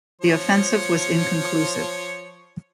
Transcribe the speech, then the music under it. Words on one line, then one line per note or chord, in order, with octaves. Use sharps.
The offensive was inconclusive.
F3 C#5